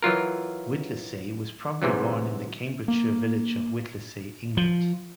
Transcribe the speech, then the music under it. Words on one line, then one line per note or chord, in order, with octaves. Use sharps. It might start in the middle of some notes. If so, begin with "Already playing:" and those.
Whittlesey was probably born in the Cambridgeshire village of Whittlesey, England.
E3 F#3 F4 A#4
G#2 C3 E3 F#3
A#3
F3